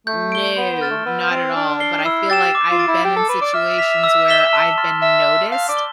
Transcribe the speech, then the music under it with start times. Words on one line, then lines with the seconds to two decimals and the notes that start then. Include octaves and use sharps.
No, not at all, but I feel like I've been in situations where I've been noticed,
0.07 A3 G6
0.32 D7 G7
0.56 B3 C6
0.73 B3
0.81 F6 A6 E7
0.90 A3
1.06 B3 E6
1.31 C4 G6 D7 F7
1.56 D4 F6
1.80 C7 G7
2.05 E4 E6
2.30 G4 A6 E7
2.55 D6
2.71 F4
2.79 A6 D7
2.88 E4
3.04 G4 G6
3.16 A4
3.29 B4 D7 G7
3.41 D5
3.54 E5 F6
3.78 B6 F7
4.04 E6
4.28 B6 E7 G7
4.53 A5
4.78 C6 F6 A6
5.02 E5 F6
5.27 B6 E7
5.52 F5 G6
5.69 D5
5.77 G7